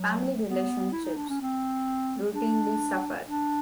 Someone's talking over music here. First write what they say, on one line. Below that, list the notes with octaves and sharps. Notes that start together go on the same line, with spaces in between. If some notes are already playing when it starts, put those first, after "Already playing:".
Family relationships routinely suffer.
Already playing: F#3
B3
E4
D#4
D4
C#4
C4
D4
D4